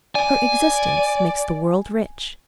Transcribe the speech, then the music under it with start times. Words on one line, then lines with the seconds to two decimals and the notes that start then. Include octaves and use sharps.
Her existence makes the world rich.
0.15 D5 G#5